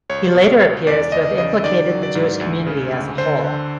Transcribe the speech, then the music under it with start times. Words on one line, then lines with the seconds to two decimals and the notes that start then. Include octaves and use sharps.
He later appears to have implicated the Jewish community as a whole.
0.09 C#2 C#5
0.35 B2
0.61 C#2
0.87 E2 D5
1.12 E2 D#5
1.38 C#3 D#5
1.64 D#3 D5
1.90 F#3
2.03 D5
2.15 G#2
2.41 D2
2.66 C#3
2.92 D2
3.18 D3 C5
3.44 D3